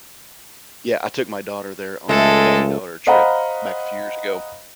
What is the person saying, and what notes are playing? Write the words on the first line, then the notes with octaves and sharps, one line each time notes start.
Yeah, I took my daughter there on a daddy-daughter trip back a few years ago.
C#2 G#3 A3 A4
C5 D#5 F5 F#5 A#5 B5